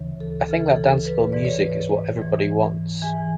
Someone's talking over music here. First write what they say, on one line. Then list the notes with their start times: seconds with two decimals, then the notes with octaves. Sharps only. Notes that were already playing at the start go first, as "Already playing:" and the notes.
I think that danceable music is what everybody wants.
Already playing: D2 C#3 E3
0.20 A4
0.48 D2 C#3 E3 A4
0.76 A4
1.05 B4
1.32 G#2 E3 D5
1.45 C#5
1.57 B4
1.70 C#5
2.17 G#2 E3
3.02 G#2 E3 G#5